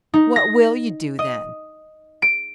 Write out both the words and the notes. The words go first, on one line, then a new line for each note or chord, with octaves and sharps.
'What will you do then?
D#4
A#6
D#5
D7